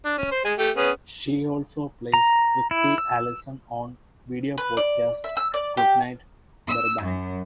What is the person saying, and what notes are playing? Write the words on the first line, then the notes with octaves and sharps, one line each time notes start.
She also plays Christy Allison on the video podcast Goodnight Burbank.
D4
C#4
C5
G#3 G#5
A3 G4
B3 C#4 G#4
A#5
E4
E6
B4
D5
E5
E6
D5
G4
E6
F#2